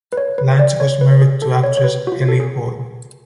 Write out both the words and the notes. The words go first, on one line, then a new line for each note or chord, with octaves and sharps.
Lange was married to the actress Elli Hall.
B4
C#5
B4
D5
C#5
B4
G#4
A4
C#5
C#5
B4
F#4
F4
A4
G#4